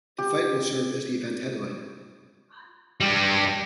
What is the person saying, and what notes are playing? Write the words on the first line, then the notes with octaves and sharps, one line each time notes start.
The fight will serve as the event headliner.
G4
G2 G3